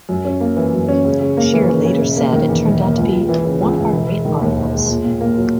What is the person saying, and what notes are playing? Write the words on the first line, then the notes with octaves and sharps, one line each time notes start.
Scheer later said it turned out to be "one of our great articles".
F#2
C#4
A#3
E3
F#2
C#4
C#3
C#3
A#3
E3
C#3
C#3
E1
A#3
D#3
E2
E1
A#3
C#2
C#2
E3
C#3
C#2
C#2
E1
G#3
D#3
D#2
E1
G#3
A#2
A#2
A#3
F#3